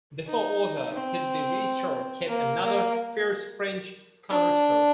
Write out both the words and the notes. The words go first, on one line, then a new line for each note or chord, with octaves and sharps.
Before order could be restored came another fierce French counterstroke.
D#4
C4
A#3
A#3
D4